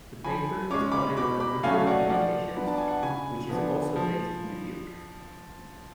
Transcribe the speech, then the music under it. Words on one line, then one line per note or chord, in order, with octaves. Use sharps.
The paper is published by Woodward Communications, which is also based in Dubuque.
F3 G#5 B5
G#3 C#4 D6
B5 D6
B2 B5 D6
B5 D6
F#3 A3 C#4 F5 G#5
D5 F#5
F3 D5 F#5
B3 D4 B5
A5
G#5
F#5 A5
C#3 G#5 B5
F3 B3 D4
F3